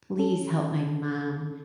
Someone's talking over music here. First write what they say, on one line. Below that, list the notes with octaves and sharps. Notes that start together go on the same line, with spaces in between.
"Please help my mom,
C#4 A4